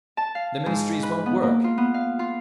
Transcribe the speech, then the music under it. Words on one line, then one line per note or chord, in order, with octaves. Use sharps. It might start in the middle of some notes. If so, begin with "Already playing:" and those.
The Ministries won't work....
A5
F5
G#2
B4
B3
A#3
F4
B3
F5
F4